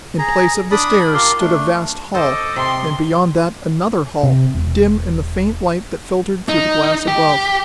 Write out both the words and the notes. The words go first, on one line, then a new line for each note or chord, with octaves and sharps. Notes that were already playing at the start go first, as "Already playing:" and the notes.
In place of the stairs stood a vast hall, and beyond that another hall, dim in the faint light that filtered through the glass above.
G#4 A#5
D4 D5 B5 D#6
F4 G4 A#4 C6
A3 D4
A4 C5 D#5 D6
C3 C6
C3
E1
D#4
G4